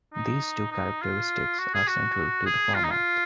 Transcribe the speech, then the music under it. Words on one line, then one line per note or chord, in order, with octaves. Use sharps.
These two characteristics are central to the format.
D#4
D#4
F4
F#4
G#4
F#4
G#4
F4
D#4
F4